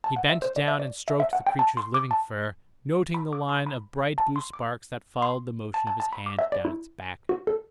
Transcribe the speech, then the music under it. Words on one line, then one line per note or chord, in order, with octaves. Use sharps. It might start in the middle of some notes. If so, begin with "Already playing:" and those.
He bent down and stroked the creature's living fur, noting the line of bright blue sparks that followed the motion of his hand down its back.
A5
F#5
E5
C5
D5
E5
D5
E5
E5
F#5
G5
A5
C6
D6
A5
B5
D6
C6
B5
A5
C6
D6
C6
A5
A5
A5
B5
D6
E5
D5
E4
F#4
A4